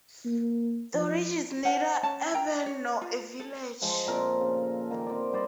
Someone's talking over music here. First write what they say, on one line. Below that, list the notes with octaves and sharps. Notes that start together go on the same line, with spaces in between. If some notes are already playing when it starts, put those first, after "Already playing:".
Dorridge is neither urban nor a village.
A#3
F3
A#4 C5 F#5 A5
C#4 C#5 A5
A#4 G5 A#5
C#5
F4
A4
F3 G#3
A#2 C4 A4 A#4
C#3
D#3 A#3
C4 D5
G3 C5 D5 D#5